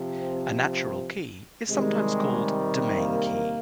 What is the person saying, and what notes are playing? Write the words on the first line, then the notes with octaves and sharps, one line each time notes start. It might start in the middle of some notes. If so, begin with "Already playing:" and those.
A natural key is sometimes called "domain key".
Already playing: C3 F3
C4
C3 D#3 G3 G#3
A#3